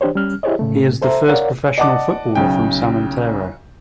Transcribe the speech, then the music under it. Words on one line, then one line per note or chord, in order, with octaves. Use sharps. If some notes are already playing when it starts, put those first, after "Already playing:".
He is the first professional footballer from San Antero.
E3 D4 G4 C5 C#5
G3 C#4 F6
E4 G4 G#4 C5 C#5 D#5
A2 C#3 A3
A4 C5 E5 A#5
A#4 C#5 D5 F5 F#5
D5 D#5 F#5 A5 D6
B1 C#3 G5